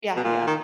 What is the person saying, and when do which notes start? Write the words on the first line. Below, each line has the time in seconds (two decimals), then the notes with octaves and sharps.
Yeah, yeah.
0.17 B2
0.24 A#2
0.47 D#3